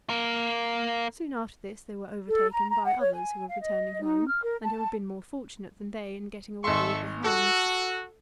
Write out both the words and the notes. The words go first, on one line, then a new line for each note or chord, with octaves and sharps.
Soon after this they were overtaken by others who were returning home, and who had been more fortunate than they in getting away with the hounds.
A#3 A#4
A4
A#5
A#5
F#5
C#5
G#5
F5
D#5
D#4
F6
A#4
A5
G#1 A4 E5 C6 C#6
F#4 A4